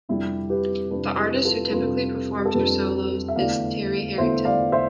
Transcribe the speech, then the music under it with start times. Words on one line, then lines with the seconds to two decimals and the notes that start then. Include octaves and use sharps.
The artist who typically performs her solos is Terry Harrington.
0.09 F2 C3 G3 D4 E4 G4
0.50 G4 B4
0.90 F2 C3 G3 D4 G4 B4
1.17 E4 G4
1.34 B4
1.45 F4 A4
1.66 B4
1.72 F2 C3 G3 D4 F4 A4
2.38 G4
2.46 A4
2.54 F2 C3 G3 D4 G4 B4
3.28 E5
3.36 E2 D3 A3 E4 D5 F5
4.18 E2 D3 A3 E4 C5 E5
4.45 D5 F5
4.72 C5 E5